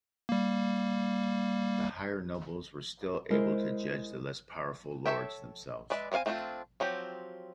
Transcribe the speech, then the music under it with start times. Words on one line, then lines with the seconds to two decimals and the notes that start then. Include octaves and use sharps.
The higher nobles were still able to judge the less powerful lords themselves.
0.29 G3 A#3
3.30 G#3 E4 A#4 C5
5.06 A4 C5 C#5 E5 G5
5.90 G#3 B4 D5 E5
6.12 B3 C4 C#5 F5 G#5
6.26 A3 C4 D4 E4 F4
6.80 F3 F#3 C4 G4